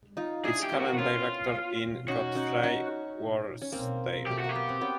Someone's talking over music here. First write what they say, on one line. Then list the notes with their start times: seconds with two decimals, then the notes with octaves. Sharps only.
Its current Director is Godfrey Worsdale.
0.17 D#4 F4
0.44 D4 E4 G#4
0.63 G4
0.72 A#3 C4
0.81 F#4
0.99 B3 C#4 F4
2.08 C#4 D#4 F#4
2.35 C#4 D#4
2.63 C#4 D#4
3.62 C#4
3.72 A#3 C4
4.27 A3 G4
4.39 F#4
4.44 A#3
4.49 G4
4.55 B3
4.69 C4
4.81 B3 C#4